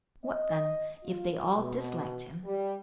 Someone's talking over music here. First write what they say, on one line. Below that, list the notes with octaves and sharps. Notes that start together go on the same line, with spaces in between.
"What, then, if they all disliked him?"
D#5
F4
B2
G3